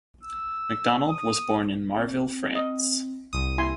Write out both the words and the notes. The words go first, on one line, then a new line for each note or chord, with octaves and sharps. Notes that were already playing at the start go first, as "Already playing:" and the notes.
McDonald was born in Marville, France.
E6
D#6
C4
D#5
C2 G3 D#6
A#3 E4 G#5 C6